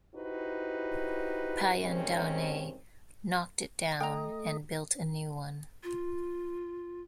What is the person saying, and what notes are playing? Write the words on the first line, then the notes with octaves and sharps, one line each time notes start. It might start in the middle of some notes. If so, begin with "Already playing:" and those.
Payan Dawnay, knocked it down, and built a new one.
D#4 E4 F#4 G4 B4 C5
G2 C3 D#3 G#3 C4 C#4
A3 D#5 G5 A#5
F4